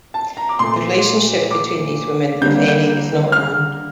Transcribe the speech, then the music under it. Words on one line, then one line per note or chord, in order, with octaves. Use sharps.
The relationship between these women, if any, is not known.
A5
A#5
D6
A#2 A3 C6
D6
D3 G3 A#3 G6
G6
F6